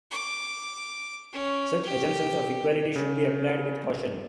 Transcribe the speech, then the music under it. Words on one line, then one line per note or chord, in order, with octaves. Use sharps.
Such assumptions of equality should be applied with caution.
D6
C#4
G4
C#3